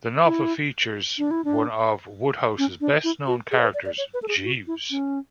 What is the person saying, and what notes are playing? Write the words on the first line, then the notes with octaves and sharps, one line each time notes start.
The novel features one of Wodehouse's best-known characters, Jeeves.
E4
D4
E4
D4
C#4
D4
E4
F#4
G#4
C#5
B4
D5
D5
C#5
B4
A4
G#4
F#4
E4
C#4